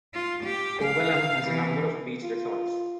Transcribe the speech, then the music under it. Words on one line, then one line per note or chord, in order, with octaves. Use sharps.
Kovalam has a number of Beach Resorts.
F4
G4
F5
E3
F4